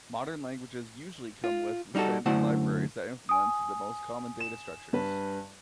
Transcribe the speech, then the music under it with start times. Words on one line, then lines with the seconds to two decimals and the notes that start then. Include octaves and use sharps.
Modern languages usually come with standard libraries that implement the most common data structures.
1.44 F4
1.95 G3 D#4 E4 F#4 A4
2.26 F#2 D3 A3 E4 C5 F#5
3.29 G#5 D#6
4.40 E7
4.93 G2 B4